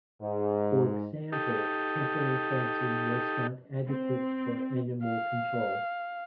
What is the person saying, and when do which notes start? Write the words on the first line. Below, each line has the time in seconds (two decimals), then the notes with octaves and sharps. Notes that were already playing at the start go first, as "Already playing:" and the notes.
For example, temporary fencing was not adequate for animal control.
0.22 G#2
1.32 D#4 G4 A4
3.88 C4
5.03 F5